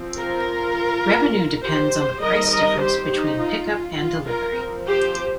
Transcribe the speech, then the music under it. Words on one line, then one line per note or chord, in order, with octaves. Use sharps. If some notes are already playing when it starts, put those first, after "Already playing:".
Revenue depends on the price difference between pick-up and delivery.
Already playing: F3 C4
F4 A#4
G4 C5
D#3 G3 C4 A#4 D#5
A#4 D#5
G4 C5
D#4 G4
F4
F4
F4 A#4
F3 C4
G4 C5